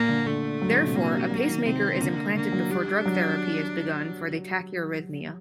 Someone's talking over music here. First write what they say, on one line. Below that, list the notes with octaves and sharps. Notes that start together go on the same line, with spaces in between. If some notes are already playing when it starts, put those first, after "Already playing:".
Therefore, a pacemaker is implanted before drug therapy is begun for the tachyarrhythmia.
Already playing: A#2 A#3
D3
D3 A3
F#3
D3
A#2
C3
F#3 A#3
G3
F#3
D#3
C3 C4
C3
D3 A#3
D3 A#3
F#3
G3 D4
F#3